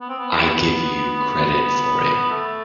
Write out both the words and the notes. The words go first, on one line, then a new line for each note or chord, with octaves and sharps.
I give you credit for it.
B3
C4
B3
A3